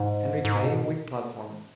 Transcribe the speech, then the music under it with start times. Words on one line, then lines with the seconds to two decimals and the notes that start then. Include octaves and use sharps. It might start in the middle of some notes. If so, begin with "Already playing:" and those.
Henry Clay, Whig platform.
Already playing: G#2
0.45 G#2
0.64 B2